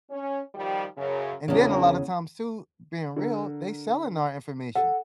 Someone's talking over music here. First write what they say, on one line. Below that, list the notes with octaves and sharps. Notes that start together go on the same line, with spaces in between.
and then a lotta times too, being real, they selling our information
C#4
D#3 F3 G3
F#2 C#3
E2 C#3 E3 A#3 D4
D3 A#4
A4 F#5